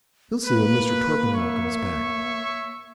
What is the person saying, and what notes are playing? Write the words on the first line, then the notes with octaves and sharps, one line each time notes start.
You'll see when Mr. Torpenhow comes back.'
A#3 B4
C#5 E5 C#6